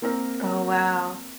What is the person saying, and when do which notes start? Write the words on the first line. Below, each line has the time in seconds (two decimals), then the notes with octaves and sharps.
Oh, wow.
0.02 A#3 C4 A#4